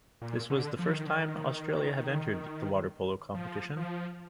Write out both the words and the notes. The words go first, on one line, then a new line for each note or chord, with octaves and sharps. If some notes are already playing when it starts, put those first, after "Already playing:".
This was the first time Australia had entered the water polo competition.
A#2
D3
F3
D#3
D3
D#3
F3
F3